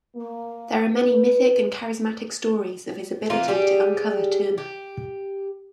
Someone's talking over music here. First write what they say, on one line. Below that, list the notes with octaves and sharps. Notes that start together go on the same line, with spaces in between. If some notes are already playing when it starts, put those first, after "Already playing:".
There are many mythic and charismatic stories of his ability to uncover Terma.
A#3
B4
E3 A#3 C4 F4
G3 G4 G#4
G4